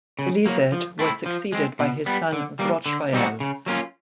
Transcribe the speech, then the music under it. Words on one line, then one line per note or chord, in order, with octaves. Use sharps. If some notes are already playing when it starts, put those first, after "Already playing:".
Elisedd was succeeded by his son Brochfael.
C#3
F#3 A#3
F3
A3 C4 E4
F3
G#3 C4
B2
G3 B3
D3
G3 A#3
D3
G3 C4 D#4 F#4
C#3
F#3 A#3 C#4 F4